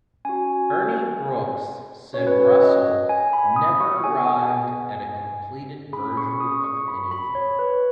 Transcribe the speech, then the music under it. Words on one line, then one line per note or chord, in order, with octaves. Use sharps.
Ernie Brooks said Russell never arrived at a completed version of anything.
C#4 F#4 G#5
C#4 F#4 C#5
B4
C#5
D#5
G#5
B5
D#6
C#6
B3 G#4 G#5
C#4 G#4 B5
C#6
D#6
C#6
B5
B5
C#5
B4